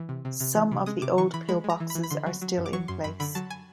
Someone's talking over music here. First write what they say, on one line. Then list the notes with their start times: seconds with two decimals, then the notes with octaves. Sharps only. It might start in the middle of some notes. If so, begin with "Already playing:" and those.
Some of the old pillboxes are still in place.
Already playing: E3
0.09 C3
0.25 C3
0.40 C3
0.55 E3
0.72 C3
0.86 G#3 D#6
1.02 C3 D6
1.18 E3 C#6
1.34 E3 B5
1.49 G#3 B5
1.64 G#3
1.70 A#5
1.80 E3
1.90 B5
1.95 E3
2.03 B5
2.10 D3 C6
2.26 F#3
2.41 F#3
2.58 F#2
2.66 D6
2.73 F#3 C#6
2.88 F#2 C6
3.04 F#2 B5
3.20 D3 B5
3.35 F#3 A5
3.50 G#5